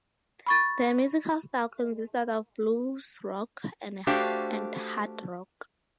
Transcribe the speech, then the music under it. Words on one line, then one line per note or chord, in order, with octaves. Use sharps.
Their musical style consisted of blues rock, and hard rock.
B5 C#6 A6
A3 D4 F#4 G4 C5 F5